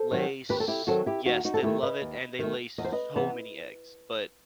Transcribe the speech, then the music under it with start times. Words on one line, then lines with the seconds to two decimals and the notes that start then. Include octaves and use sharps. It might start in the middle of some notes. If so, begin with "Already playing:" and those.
lay s Yes, they love it and they lay so many eggs, but
Already playing: A4 C5
0.11 D#3 F#3 C4
0.49 D#2 G4 B4
0.60 A4
0.68 E4 G4
0.87 D#3 F#3 C4 F#4 A4
1.06 E4 G4
1.25 D#2 D#4 F#4
1.45 D#4 F#4
1.54 A4
1.63 D#3 A3 E4 G4
1.83 B4 D#5
2.02 D#2
2.39 D#3 A3
2.78 E2 D#5
2.84 C5
2.92 B4 D#5
3.16 C3 E3 B3